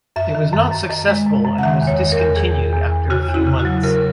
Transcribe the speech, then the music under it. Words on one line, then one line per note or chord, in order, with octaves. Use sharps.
It was not successful and was discontinued after a few months.
F#2 E5
D#3
F#2
F#2
F#2 D#5
G#3
F#2
F#2
F#5
D#3 E5
E2
C#5
D#3
A#4
E2
E2 G#4
E2
E2
E2
C#3 F#4
E2
E4
C#3
F#4
F#3
C#3 A#4